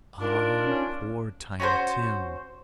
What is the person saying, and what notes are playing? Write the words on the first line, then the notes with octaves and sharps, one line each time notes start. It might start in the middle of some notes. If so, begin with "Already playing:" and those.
Ah, poor Tiny Tim!
D4 D#4 F4 A#4
C#4
C#4 F#4 A#4 C5